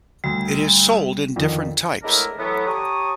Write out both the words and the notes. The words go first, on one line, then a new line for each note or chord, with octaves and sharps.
It is sold in different types.
D2 G3
F2 D3 D#3
A2 G#3 B3 D4 E4 A#4
A2 E3 F#3 B3
G4 C#5 A5 A#5 C#6 D#6